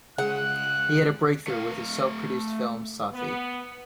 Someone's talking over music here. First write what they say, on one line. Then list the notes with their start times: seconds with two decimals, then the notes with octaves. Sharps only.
He had a breakthrough with his self-produced film "Sathi".
0.18 C#3 G#3 G#4 F#5 F#6
1.47 A3 F5
3.13 B3